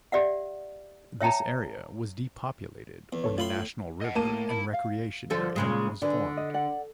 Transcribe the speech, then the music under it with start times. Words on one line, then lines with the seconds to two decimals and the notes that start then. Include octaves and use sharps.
This area was depopulated when the National River and Recreation Area was formed.
0.12 G4 D5 E5 F#5
1.21 C#5 E5 G5 A5 A#5
3.13 E2
3.24 C2 A4 C#5
3.38 A2 F4 B5 C6
4.01 D#5 F#5
4.15 A2 A3 A#3 A5 D#7
4.50 E4 B5
4.73 F5
5.30 D3 F3 A4
5.56 A#2 C#3 G#3
6.02 D3 G#4 B4 D5
6.37 D#5
6.54 D5 F#5